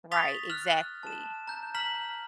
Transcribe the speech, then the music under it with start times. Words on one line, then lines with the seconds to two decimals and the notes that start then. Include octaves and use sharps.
right, exactly.
0.11 C#6 D#6 A6 B6 F7 G7
0.50 F6 F#6
1.03 A5 E7
1.48 A#5 G6
1.75 A#5 F6 B6 F#7